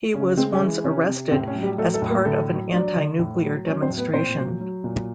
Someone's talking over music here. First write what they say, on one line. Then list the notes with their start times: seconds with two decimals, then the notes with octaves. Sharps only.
He was once arrested as part of an anti-nuclear demonstration.
0.14 C#3 C#4
0.37 G#3 C4
0.53 C#4
0.60 E3
0.84 C3 C#4
1.08 C3
1.31 A2 C4
1.47 C#4
1.55 F#3
1.62 G3 G4
1.78 F#3 A3 A4
1.94 A3 A4
2.02 A2
2.10 A#3 A#4
2.25 D3 A3 A4
2.49 F#3
2.72 F#3 D4 D5
2.96 D3
3.19 A2
3.43 F#3
3.66 F#3 C#4 C#5
3.82 C4 C5
3.90 A2
3.97 B3 B4
4.13 A#2 C4 C5
4.37 F#3
4.60 F#3
4.84 A#2